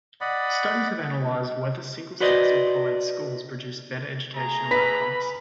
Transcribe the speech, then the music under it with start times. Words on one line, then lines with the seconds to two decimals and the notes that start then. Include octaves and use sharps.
Studies have analyzed whether single-sex or co-ed schools produce better educational outcomes.
0.21 D5 D#5 F#5 B5
2.20 F#4 B4 C5 D5 D#5
4.33 A3 G#4 A#5
4.71 B4 B5 B6